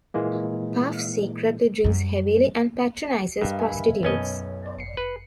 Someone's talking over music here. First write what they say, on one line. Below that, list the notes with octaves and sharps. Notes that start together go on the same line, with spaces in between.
Puff secretly drinks heavily and patronizes prostitutes.
A#2 E3 G#3 A#3
F#2 G3
G2 A#4 D#5 F5
E5 G#5 B5
B1 F#2 C#4 D#5
G1 C7 C#7
B4